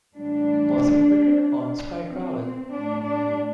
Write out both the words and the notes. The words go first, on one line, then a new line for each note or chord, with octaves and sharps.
Was repeated on Sky Travel.
A2 E3 G3 D4
C4
C4
A2 G3 D4
D4